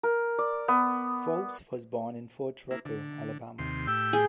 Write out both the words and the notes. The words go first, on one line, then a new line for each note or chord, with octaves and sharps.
Forbes was born in Fort Rucker, Alabama.
A#4
D5
B3
A#3 E4
D3
D#2 C3 C6
A2 G4 G5 E6
G#4